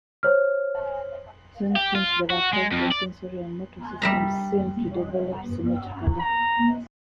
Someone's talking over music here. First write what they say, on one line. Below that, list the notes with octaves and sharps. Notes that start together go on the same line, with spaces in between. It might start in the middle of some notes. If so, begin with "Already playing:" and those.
Symptoms that affect the sensory and motor systems seem to develop symmetrically.
C5 C#5 F6
G4
F4
F#4
G#3
F2
D5
G3 E5 A#5
A#5